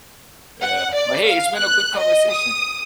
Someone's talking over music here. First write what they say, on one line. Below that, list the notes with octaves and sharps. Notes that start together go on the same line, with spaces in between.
Yeah. But hey, it's been a good conversation.
F#5
D5
F5
F#6
D#5
D#6